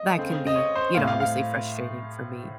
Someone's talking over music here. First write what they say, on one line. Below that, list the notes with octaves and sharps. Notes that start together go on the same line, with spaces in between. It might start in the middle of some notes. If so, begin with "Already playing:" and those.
that can be, you know, obviously frustrating for me,
Already playing: D#5
C#3 A3 C4
D#5
C#5
C5
A2 A3 C4 F5
F5
F5